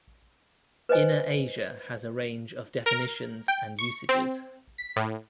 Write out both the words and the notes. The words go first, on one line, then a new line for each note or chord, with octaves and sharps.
"Inner Asia" has a range of definitions and usages.
B4 C5 D#5 G#5
A#4
G5
C#6
C4
B6
A2